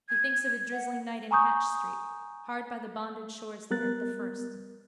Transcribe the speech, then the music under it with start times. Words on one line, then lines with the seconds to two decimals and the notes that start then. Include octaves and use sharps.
He thinks of a drizzling night in Hatch street, hard by the bonded stores there, the first.
0.09 G#6
0.72 F#5
1.31 G#5 A#5 C#6 D#6 G6
3.71 G3 B3 A#4 F#6 A6